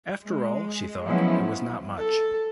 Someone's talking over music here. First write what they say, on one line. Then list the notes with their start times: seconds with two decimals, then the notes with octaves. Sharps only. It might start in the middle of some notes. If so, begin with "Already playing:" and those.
After all, she thought, it was not much.
0.22 G#3
1.05 F3 F#3 G#3 B3 C#4 E4
1.98 A4